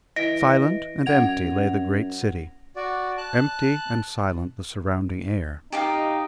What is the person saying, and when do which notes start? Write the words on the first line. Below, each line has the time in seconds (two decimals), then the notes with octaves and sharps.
Silent and empty lay the great city--empty and silent the surrounding air.
0.16 E3 D#5 A#6 D7
1.06 F#2 F#5 G#6 F7
2.76 F#4 D5
3.18 A5 F#6
5.72 D#4 G4 D#5 F5